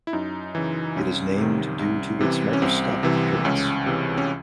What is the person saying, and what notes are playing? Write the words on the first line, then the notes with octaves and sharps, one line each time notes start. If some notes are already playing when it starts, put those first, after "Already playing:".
It is named due to its microscopic appearance.
E4
F#2 D#4
C#3 E3
C2 C#4
C3 D#3
C2
C3 E3
C#4
C2 C4
C3 E3
C#2 C#4
C3 E3
C#4